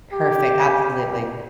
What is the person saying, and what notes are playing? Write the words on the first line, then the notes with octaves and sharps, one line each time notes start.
Perfect, absolutely.
G4